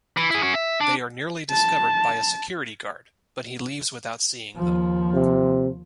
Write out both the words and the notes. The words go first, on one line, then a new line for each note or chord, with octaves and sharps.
They are nearly discovered by a security guard, but he leaves without seeing them.
E3
E4 G#4
C#4 F#4
E5
D4
A5
D#2 F3
C3